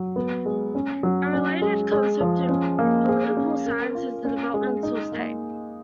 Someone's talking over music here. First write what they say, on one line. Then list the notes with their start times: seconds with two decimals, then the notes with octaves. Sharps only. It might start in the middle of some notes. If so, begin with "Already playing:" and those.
A related concept in political science is the developmental state.
Already playing: F#3
0.16 B3
0.46 G#3
0.75 C#4
1.03 F#3
1.33 C#4
1.62 G#3
1.92 G#3
2.21 F3
2.49 C#4
2.79 A#3
3.08 G#4
3.37 C#4
3.66 A#4
3.95 F4
4.25 C#4
4.54 G#3
4.83 D#4
5.12 A#3